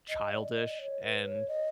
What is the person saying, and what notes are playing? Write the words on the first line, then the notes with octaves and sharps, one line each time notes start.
childish, and
D#5
D5
D5
D#5
C#5
B4
C#5
D#5